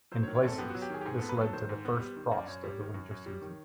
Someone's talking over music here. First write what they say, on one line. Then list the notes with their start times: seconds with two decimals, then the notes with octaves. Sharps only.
In places, this led to the first frost of the winter season.
0.12 F#3 C5
0.23 C#5
0.27 D#3
0.35 C#5
0.44 G#2 A4
0.58 B3 G4
0.70 F#3 F#4
0.82 G4
0.90 D#3 G#4
1.01 G4
1.05 G#2 G#4
1.18 B3 A4
1.29 B4
1.37 F#3 A4
1.53 D#3 C5
1.69 G#2
1.85 B3
2.00 G3
2.16 D#3
2.31 F#2
2.38 D5
2.47 F#2 C#5
2.64 G3
2.79 D#3
2.94 F#2
3.11 F#2
3.26 G3
3.42 D#3